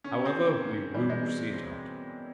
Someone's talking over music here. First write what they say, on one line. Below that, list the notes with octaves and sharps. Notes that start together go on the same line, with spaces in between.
However, we will see it out.
D3 C#4
C4
B3
A#3
G#2
E3 G3
G#3
B2
C4